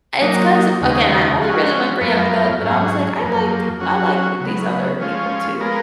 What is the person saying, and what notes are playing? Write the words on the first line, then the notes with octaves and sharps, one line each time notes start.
it's 'cause again, I only really went for Young Thug, but I was like, "I like I like these other people too."
F#3 A#3 D#4
D#2 C#3 G#3 D#4
F3 G#3 C#4 F#4
F#2 F3 B3 F4 A#4
G#2 F#3 C#4 G#4
F#2 F3 A#3
F#3 C#4 F#4
C#3 F#3 B3
F3 G#3 C#4 F4
G#3 B3 F4 A#4